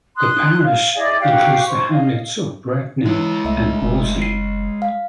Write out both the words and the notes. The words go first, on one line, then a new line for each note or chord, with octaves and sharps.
The parish includes the hamlets of Bradney and Horsey.
C6 D#6 F#6
F5
E4 G#4 D5 D#5
F#4 G4 F5 G5
C5 C#6
D#5 F5
E3 G#3 E4 C#5
C2 A3 E5
F#1
C7
F5